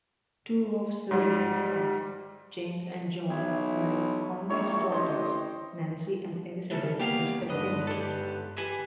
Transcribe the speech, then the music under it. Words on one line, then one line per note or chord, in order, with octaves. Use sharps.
Two of Sevier's sons, James and John, married Conway's daughters, Nancy and Elizabeth, respectively.
G#2 G3
B1 E4
A#1 C#5 E5 G5
A1 C5 D#5 G5
C#3 E3 G3 A4 E5
A#3 B3 G4 F5 G5
G1 G#2 D4 B4 D#5
G4 A4
G4 B4 G#5